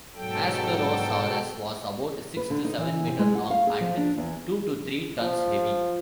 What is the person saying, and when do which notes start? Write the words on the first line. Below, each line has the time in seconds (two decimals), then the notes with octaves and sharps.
"Hesperosaurus" was about six to seven metres long and two to three tonnes heavy.
0.15 G#2 B2 F#3 A4 G5
2.37 B4
2.50 D3
2.65 D#4
2.78 E3
3.07 C3
3.19 G#3
3.35 F#5
3.50 F5
3.67 G#4
3.81 F3
3.97 D4
4.17 E2
5.22 F3